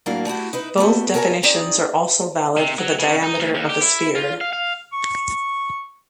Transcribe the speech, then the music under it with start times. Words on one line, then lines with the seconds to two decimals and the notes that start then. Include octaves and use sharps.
Both definitions are also valid for the diameter of a sphere.
0.06 A2 F#3 A#3 D4 E4 F5
0.27 A3 E4 F#4 G4
0.53 D#4 E4 B4
0.77 A3 B3 F#4 G4
1.14 A4 A#4 C#5 D5 G#5 A#5
1.43 C4 D#4 G#4 D5
2.57 C3
2.78 F#3
2.99 C#3
3.23 D#4
3.39 D2
3.55 D#2
3.69 G4
3.81 E4
4.15 F4
4.41 F5
4.53 F5
4.93 C#6